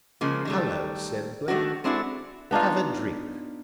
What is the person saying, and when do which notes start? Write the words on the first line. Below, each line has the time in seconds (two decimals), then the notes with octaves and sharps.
"Hallo," said Blake, "have a drink."
0.21 C#3 F3 G#3 A#3
0.45 D#3 G3 A3
1.48 D#3 A3 D4 F#4
1.84 G#3 C4 D4 E4 F#4 A4
2.51 B3 D4 D#4 F4